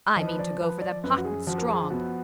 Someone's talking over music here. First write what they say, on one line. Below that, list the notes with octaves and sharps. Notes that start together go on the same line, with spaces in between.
I mean to go for them hot and strong.
F3 D#5
B4
D5
F3 B4
D5
F#2 B4
F#4
G#4
F3 F#4
A#4
G#4
B3 F#4